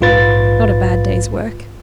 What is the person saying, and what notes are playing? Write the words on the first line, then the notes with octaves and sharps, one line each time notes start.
"Not a bad day's work."
A#1 G#2 F4 B4 A6